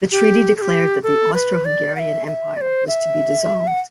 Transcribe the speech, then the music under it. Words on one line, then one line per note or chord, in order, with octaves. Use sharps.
The treaty declared that the Austro-Hungarian Empire was to be dissolved.
G4
A4
G4
A4
B4
D5
F#5
E5
E5
D5
C5
E5
F#5